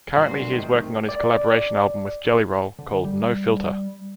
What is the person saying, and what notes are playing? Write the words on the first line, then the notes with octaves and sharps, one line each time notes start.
Currently he is working on his collaboration album with JellyRoll called "No Filter".
D2 G2 B2 D3 F#3 A#3 F#4 C5
C3 D#3 A3
D5
D3
G3